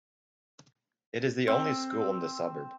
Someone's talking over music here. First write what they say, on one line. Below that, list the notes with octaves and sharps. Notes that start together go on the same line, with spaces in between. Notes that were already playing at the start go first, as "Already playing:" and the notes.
It is the only school in the suburb.
C4